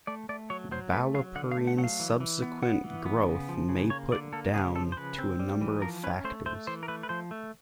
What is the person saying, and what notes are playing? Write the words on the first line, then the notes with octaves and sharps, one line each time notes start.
Ballyporeen's subsequent growth may put down to a number of factors.
A3 D5
A3 D5
F#3 C#5
F#3 C5
A3 B4
F#3 F5
D3 F#5
F5
A3
F#5
F#3 F#5
F5
E3
E3
B3
B3 F#5
E3
B3
C#3
F3
C#3
A#3 C#5
D3 D5
A#3 A4
C#3 G#4
F3 A4
C5
C#3 B4
C4
G3
E3
F3 A#4
C#4 B4
A3 C5
A3 C5
E3 C5
A#4
A3 B4
B4
F3 C5
A3